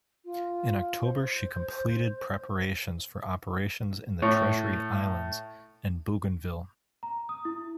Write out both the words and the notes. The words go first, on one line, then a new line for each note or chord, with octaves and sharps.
In October, she completed preparations for operations in the Treasury Islands and Bougainville.
F4
C5
A2 C#5
A#5
D#6
E4